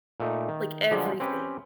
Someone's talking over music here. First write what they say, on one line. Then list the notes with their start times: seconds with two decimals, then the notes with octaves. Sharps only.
Like, everything.
0.20 A#2 A3 D#4
0.48 D#3
0.91 D3 F3 F#3 G#3 D4
1.20 C4 C#4 G4 B4